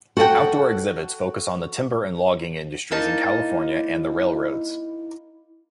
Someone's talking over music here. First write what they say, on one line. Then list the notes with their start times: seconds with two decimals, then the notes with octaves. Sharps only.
Outdoor exhibits focus on the timber and logging industries in California and the railroads.
0.17 F#4 A4 D#5 F#5 G5
2.91 A#3 D#4 E4 A5